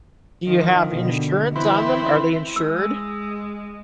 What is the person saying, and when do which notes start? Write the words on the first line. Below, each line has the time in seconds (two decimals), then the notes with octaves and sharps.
Do you have insurance on them? Are they insured?
0.46 D#3 F3
0.91 B2 D3
1.55 E3 C4 E4 B4
2.56 G#3 E6